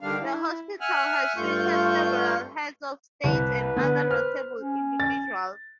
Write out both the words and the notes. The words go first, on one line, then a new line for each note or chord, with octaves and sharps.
The hospital has treated several heads of state and other notable individuals.
D3 D#3 G3 D4 F5
E4
E5 F#5 G#5 F6 F#6
G2 A3 F4 C#6 G6
C2 B4
D3 B3
C5 F6
C#4
A6